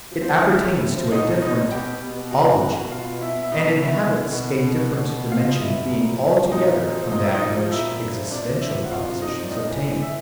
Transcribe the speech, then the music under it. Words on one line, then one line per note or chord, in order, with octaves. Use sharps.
It appertains to a different "-ology," and inhabits a different dimension of being altogether from that in which existential propositions obtain.
F3
C4 C5
F3
A2 E4 E5
A2
F3
B2 D#4 D#5
B2
D#4 D#5
B2
B2 G4 G5
B2
B2
B2 F#4 F#5
B2
F#4 F#5
B2
B2 F4 F5
B2
E4 E5
B2
E5
B2 D#4 D#5
B2
E4 E5
B2
B2
B2
B2
B2
B2
B2
B2 F4 F5
B2 D#5
E4 E5
B2
A#2
F3
F3
A#2 D#4 D#5
A#2
F3
A#2 D#5
E5
F3 D#4 D#5
F3
A#2 E4 E5
A#2
F3
C3 D4 D5
F3
E4 E5
F3
F#5
C3 F4 F5
C3
D#4 D#5
F3
D5
A2 D#4 D#5
E3
E3
E5